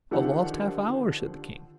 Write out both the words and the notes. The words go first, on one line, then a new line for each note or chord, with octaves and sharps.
"A lost half-hour?" said the King.
D3 D#3 F3 G4 F#5